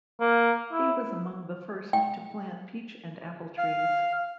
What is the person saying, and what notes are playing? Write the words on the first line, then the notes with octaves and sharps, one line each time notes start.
He was among the first to plant peach and apple trees.
A#3
E4
G5
F5